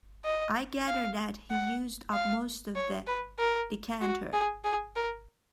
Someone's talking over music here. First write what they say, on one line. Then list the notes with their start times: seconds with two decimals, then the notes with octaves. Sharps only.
I gather that he used up most of the decanter.
0.25 D#5
0.87 F5
1.51 F#5
2.13 F5
2.75 C#5
3.07 B4
3.39 A#4
4.01 F#4
4.33 G#4
4.64 G#4
4.96 A#4